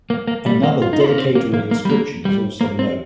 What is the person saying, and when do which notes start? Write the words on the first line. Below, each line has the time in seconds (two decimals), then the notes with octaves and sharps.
Another dedicatory inscription is also known.
0.10 A#3
0.28 A#3
0.46 G3
0.63 A#3
0.82 F4
0.93 D#4
1.00 F4
1.08 A#3
1.18 C4
1.35 A#3
1.54 A#3
1.71 A#3
1.85 G3
1.89 A#3
2.25 G3
2.61 A#3
2.79 C4